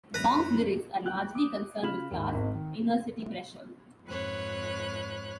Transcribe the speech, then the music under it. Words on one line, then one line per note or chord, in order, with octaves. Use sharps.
The song's lyrics are largely concerned with class, inner-city pressure.
F#2 B4 A#5
G5 F#6 G6
D6 D#6
C#3 F4 B5 F6 E7 F#7
D#2 G#2
G#1 D#5
D#3
F2 G#2 B4 C#5 F#6